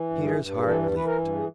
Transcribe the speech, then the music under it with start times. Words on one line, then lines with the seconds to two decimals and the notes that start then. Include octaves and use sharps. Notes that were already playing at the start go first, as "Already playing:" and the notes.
Peter's heart leaped.
Already playing: E3
0.10 G2
0.24 G#4
0.38 G2
0.59 G#4
0.64 E3 A4
0.91 E3 B4
1.05 A#4
1.19 G2
1.35 G#4